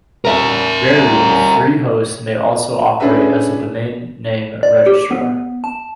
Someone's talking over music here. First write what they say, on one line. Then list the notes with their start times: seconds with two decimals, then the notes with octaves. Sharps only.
Rarely, a free host may also operate as a domain name registrar.
0.25 A#4 E5
3.00 C#4 D4 G#4 A4 B4 E5
4.63 D5
4.86 G4
5.11 B3
5.64 A5